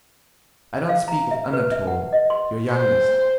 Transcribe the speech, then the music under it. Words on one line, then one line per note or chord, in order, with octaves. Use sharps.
I don't speak of Anatole, your youngest.
F5
A#5
E5
B4
E5
F#5
D#5
C6
C5